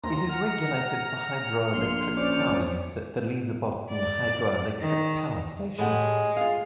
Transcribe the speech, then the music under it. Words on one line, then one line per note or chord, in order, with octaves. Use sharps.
It is regulated for hydroelectric power use at the Lysebotn Hydroelectric Power Station.
D#2 A#5 C6
F#5 F6 C#7
A#1 A#3 C6
C#4 C5 D5
D5
D#3
A2 G#3 G4 F#5
F4 F5